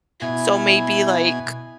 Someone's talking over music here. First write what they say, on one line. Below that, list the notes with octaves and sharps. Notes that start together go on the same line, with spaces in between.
So maybe like
B2 E4 G#5